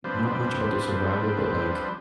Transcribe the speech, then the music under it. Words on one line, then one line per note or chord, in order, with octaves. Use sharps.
not much about the survival, but, like,
F3 G3 C4 D4 B4 C5